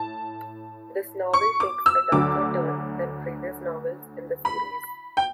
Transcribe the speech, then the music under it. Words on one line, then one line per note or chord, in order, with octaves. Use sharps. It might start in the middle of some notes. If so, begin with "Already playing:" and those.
This novel takes a darker turn than previous novels in the series.
Already playing: A2 A5
C#6
D6
E6
D2 D3 F#3 D6
B5
G5